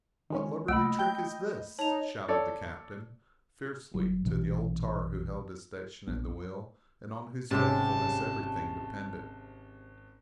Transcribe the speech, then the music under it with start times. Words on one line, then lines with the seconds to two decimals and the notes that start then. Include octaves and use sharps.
"What lubberly trick is this?" shouted the captain, fiercely, to the old tar who held his station at the wheel, and on whose faithfulness everything depended.
0.30 D#3 G#3 C#4
0.68 C2 A3 A#3 D#5 B5 E6
0.99 G5 G6
1.79 D#4 C#5 A5 F7
2.28 A4 C#5 D5
3.94 G1 F#3
4.25 A#1 B2 E3 C#4
6.07 A#1 B3 D4
7.51 G#1 C3 G#3 C#4 G4 A5